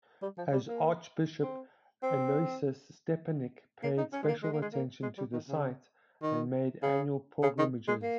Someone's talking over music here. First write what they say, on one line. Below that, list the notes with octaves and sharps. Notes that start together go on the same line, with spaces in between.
As archbishop, Aloysius Stepinac paid special attention to the site and made annual pilgrimages.
G3
F3
G3
A#3
C4
C4
A#3
D#4
C#4
G#3
A#3
G#3
A#3
G#3
A#3
G#3
G3
D#3
C#3
D#3
C#3
C#3
D#3
G#3
A#3